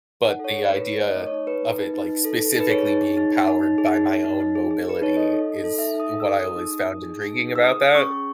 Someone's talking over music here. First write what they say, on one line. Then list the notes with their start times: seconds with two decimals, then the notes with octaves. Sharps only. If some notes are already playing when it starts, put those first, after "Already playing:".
But the idea of it like specifically being powered by my own mobility is what I always found intriguing about that.
0.24 D#4 F#5
0.39 A4
0.45 C#5
0.55 D#4
0.65 A3 B4
0.86 D#4 C#5
1.01 A3
1.06 D#5
1.16 A3
1.26 C#5
1.32 D#4
1.47 D#4 B4
1.63 A3
1.78 D#4
1.94 D#4
2.09 D#4
2.24 A4
2.39 A4
2.55 D#4 B4
2.70 G#4 C#5
2.86 D#4
3.01 G#4
3.17 D#4
3.32 D#4
3.48 D#4
3.63 D#4
3.78 G#4
3.94 D#4
4.09 D#4
4.25 D#4
4.41 D#4
4.55 G#4
4.71 G#4
4.86 G#4 B4
5.02 D#4 C#5
5.17 A4 D#5
5.33 A4
5.48 D#4
5.64 A4
5.79 D#4 E5
5.94 D#4
6.00 D#6
6.10 A4
6.20 E6
6.25 A4
6.40 G#4 D#6
6.56 D#4
6.71 D#4
6.87 D#4
7.02 G#4
7.17 D#4
7.33 D#4
7.49 G#4
7.55 E6
7.64 G#4 D#6
7.79 G#4
7.95 C#4 C#6
8.10 G#4